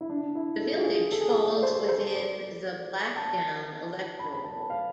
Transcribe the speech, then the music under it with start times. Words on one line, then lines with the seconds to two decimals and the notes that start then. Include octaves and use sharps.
The village falls within the 'Blackdown' electoral ward.
0.01 E4
0.09 D4
0.35 E4
0.60 A4
0.69 G#4
0.75 F4
0.83 G#4
1.12 A4
1.20 G#4
1.29 A4
1.56 D5
1.63 C5
1.88 C5
2.14 D5
3.16 A5
4.19 B5
4.32 B5
4.44 A5
4.70 F5